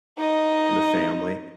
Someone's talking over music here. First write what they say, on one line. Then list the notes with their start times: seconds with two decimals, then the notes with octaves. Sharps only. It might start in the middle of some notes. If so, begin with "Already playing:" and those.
and the family.
0.18 D#4 D#5